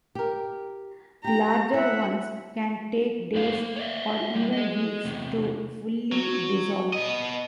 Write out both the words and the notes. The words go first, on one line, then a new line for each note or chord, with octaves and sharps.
Larger ones can take days or even weeks to fully dissolve.
G4 A#4
G4 G5 A#5
E4 E5 F#5
F#2 G#3 B4 C5 F5
A#3
C#5 D5 E5
G3 G#3 A#3
G#4 D#5
E2 C3
F#3
B3 D#5